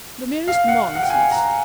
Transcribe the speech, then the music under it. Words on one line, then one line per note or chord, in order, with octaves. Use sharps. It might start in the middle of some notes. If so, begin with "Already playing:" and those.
'The merest nonsense.'
F5
F#5
F#5
G5
G#5
A#5